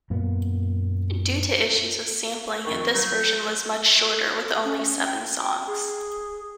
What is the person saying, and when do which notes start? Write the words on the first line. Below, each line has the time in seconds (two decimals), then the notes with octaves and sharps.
Due to issues with sampling, this version was much shorter with only seven songs.
0.10 F#2 A#2 A#3 B3
2.65 F2 D#3 A#4 C#6
2.95 F#3 G6
4.65 C#4
5.05 G5
5.67 G#4